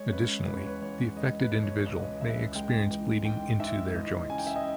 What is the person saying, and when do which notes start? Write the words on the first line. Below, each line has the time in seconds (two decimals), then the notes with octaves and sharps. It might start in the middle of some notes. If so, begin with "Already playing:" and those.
Additionally, the affected individual may experience bleeding into their joints.
Already playing: G#3 C#5
0.12 C#3 B4
0.47 E2 B4
0.57 C#5
0.67 B4
0.82 E2 C#5
1.16 G#3 D#5
1.40 B4
1.51 B2
1.63 C#5
1.86 C#2 D#5
2.21 C#2 E5
2.55 G#3 G5
2.90 E3
3.25 G#2 G5
3.60 G#2 E5
3.94 E3 D#5
4.29 C#3 G#5
4.38 G5
4.47 E5
4.56 D#5